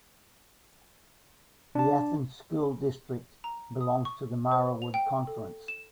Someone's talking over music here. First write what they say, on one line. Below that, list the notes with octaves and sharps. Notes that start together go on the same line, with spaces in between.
The Athens School District belongs to the Marawood Conference.
D4 A5
A#5
D#6
C#6
C5
F7
G5
A4
E7